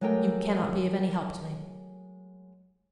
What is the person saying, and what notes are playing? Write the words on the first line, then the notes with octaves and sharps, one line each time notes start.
"You cannot be of any help to me."
F#3 G#3 A3 G4 A#4 G5